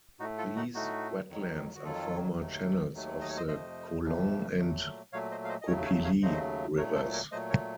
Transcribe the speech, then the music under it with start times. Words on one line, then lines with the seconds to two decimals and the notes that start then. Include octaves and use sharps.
These wetlands are former channels of the Kolong and Kopili rivers.
0.20 A2 D#4 F#4
0.23 A3
0.38 F4 A4
0.56 D#4 F#4
0.74 A2 A3 D#4 F#4
1.29 F2 D#3 F#3
1.75 F#4
1.84 F2 D#3 F#3 F4 A4
2.39 D#2 D#3 F#3 A3
2.94 D#2 D#3 F#3 A3
3.21 D#5
3.29 C#5
3.37 C5 D#5
3.48 F2 C3 F3 A3 C5 D#5
4.03 F2 C3 F3 A3
4.58 A#2 F#3 A3
5.13 A#2 F#3 A3 C#5 F5
5.31 C5 D#5
5.45 F5
5.49 C5 D#5
5.62 D#5
5.67 D#2 C#3 F#3 A3 A#4 C#5
5.86 C#5 F5
6.04 C#5 F5
6.22 D#2 C#3 F#3 A3 C5 D#5
6.77 A#2 F#3 A3 A#4 C#5
6.95 A4 C5
7.13 A#4 C#5
7.32 A#2 F#3 A3 C5 D#5
7.50 A#4 C#5